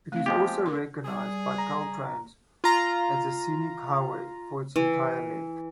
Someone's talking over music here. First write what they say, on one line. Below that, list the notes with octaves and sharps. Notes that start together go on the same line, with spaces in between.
It is also recognized by Caltrans as a scenic highway for its entire length.
A3 C4 F5
F3 G#3 B3 G4 G5
A#4 C6
G3 G#4
A#5
F4 A#5
E3